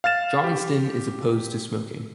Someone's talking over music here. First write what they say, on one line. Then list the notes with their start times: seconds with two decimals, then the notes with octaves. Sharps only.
Johnston is opposed to smoking.
0.04 F5 F6 A6 E7
0.44 G4